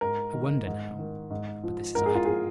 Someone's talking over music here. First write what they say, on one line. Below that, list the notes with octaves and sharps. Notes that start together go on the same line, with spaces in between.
I wonder now--But this is idle.
G#2 A#4
D#3
G#2
D#3
G#2
F3
G#2 A#4
G#4
F4
F3 G#4